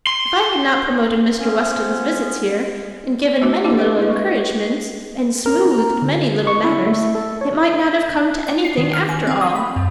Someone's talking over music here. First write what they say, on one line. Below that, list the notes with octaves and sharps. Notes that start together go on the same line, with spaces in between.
If I had not promoted Mr. Weston's visits here, and given many little encouragements, and smoothed many little matters, it might not have come to any thing after all.
C6
F3 B3 C#4
A3 D4 F#4 C5
A#3 D4 E4 G4
B4 D#5 G5
E4 B4 D#5
G#3 C#6
A#4
A#5
D3
C#6
E4
A3
A4
C#5
D5
C7
D#3
F6
G#5
C4
D#6
B5
F#2